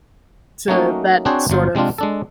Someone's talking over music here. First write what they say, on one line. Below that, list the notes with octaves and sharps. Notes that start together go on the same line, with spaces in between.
to that sort of
F#3 A3 A#3 C#4 D#4 F#4
C4 D4 F#4 G#4 C5 C#5
G1 F#3 F4 C5
C3 G#3 C4 D4 F4
G#3 D4 A4